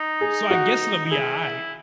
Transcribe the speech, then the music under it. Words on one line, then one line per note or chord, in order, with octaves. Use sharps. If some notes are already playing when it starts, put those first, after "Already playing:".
So I guess it'll be aight."
Already playing: D#4
G#4
F#4
D#4
E4 G#4
E4